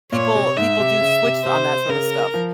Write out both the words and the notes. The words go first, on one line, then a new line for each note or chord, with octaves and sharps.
people people do switch on that sorta stuff.
A#2 C#5
C3
G#2 E5
C3
C#3
C3
C3 C5
C#3 A#4
F3